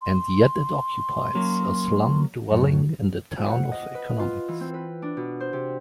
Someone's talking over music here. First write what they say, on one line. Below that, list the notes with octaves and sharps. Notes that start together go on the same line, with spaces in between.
And yet it occupies a slum dwelling in the town of economics.
C6
F#3 A#3 C#4
F#2 A2
F2
F#5
D#5
B4
F4
E3
C4
B4
D4
B2
C5
C3